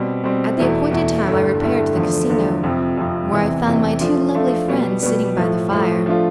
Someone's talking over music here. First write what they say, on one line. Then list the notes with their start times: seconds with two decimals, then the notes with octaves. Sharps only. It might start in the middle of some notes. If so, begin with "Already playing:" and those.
At the appointed time I repaired to the casino, where I found my two lovely friends sitting by the fire.
Already playing: B2 G3 C4
0.24 B2 G3 C4
0.57 E2 B2 A3 E4
0.91 E2 B2 A3 E4
1.26 G2 D3 A3 E4
1.61 G2 D3 A3 E4
1.94 E2 D3 F3 A3
2.29 E2 D3 F3 A3
2.63 F2 C3 F3
2.97 F2 C3 F3
3.32 E2 C3 E3
3.66 E2 C3 E3
4.00 F3 A3 D4 F4
4.35 F3 A3 D4 F4
4.68 B2 G3 B3
5.03 B2 G3 B3
5.37 A2 F3 A3
5.71 A2 F3 A3
6.06 F3 A3 D4 F4